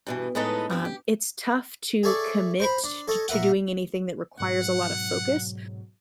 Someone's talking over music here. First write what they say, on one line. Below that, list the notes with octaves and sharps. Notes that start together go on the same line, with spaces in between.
um, it's tough to commit t t to doing anything that requires a lotta focus
G2 B2 E3
A2 G#3 B3 D#4 A4 B4
G2 B3 C4
G4
G#4 A4 C#5 D5 E5
C5 A#5 B5
D4
A4 C#5 D#5
A#2 A#4 E5 F#5
G#2 B2 F#3 F#5